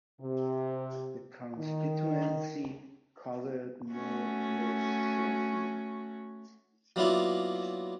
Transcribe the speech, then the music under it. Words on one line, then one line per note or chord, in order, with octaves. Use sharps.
The constituency covered north west Sheffield.
C3
D#3
A3 C#4 F#4
F#3 A#3 B3 D4 E4 F4